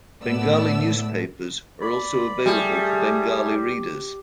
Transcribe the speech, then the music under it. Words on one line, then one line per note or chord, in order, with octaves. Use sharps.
Bengali newspapers are also available for Bengali readers.
A2 A3 B3 D5 E6
D5 B5
G3 A3 G#4